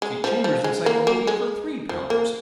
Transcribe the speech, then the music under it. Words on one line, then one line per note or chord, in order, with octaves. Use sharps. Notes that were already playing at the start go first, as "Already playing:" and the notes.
See Chambers' Encyclopedia for three-pounders.
G#3
F3
F3
G#3
A#3
A#3
G#3
F3
A#3